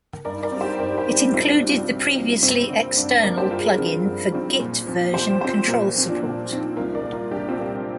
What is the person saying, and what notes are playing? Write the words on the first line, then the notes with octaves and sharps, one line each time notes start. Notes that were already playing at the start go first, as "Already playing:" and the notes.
It included the previously external plugin for Git version control support.
G2 A#4 D5
A#4 D5
G3 C4
G4 C5
G2 A#4 D5
G4 C5
G3 C4
D4
C2 C4 F4
D4
C3 G3
C4 F4
C2
C3 G3
G2 C4
D3 A#3
G2 D4
D4
D3 A#3 A#4 D5
G4 C5
G2 F4 A#4
D3 F3 C4
G2
D3 F3 C4
A#2
F3 C4
A#2 G4 C5
F3 C4 G4 C5
A#2 F4 A#4
F3 C4
D4
A#2
F3 C4
C2 F4 A#4
A#4 D5
A#2 A#3
F4 A#4
C2 D4 G4
C4 F4
A#2 A#3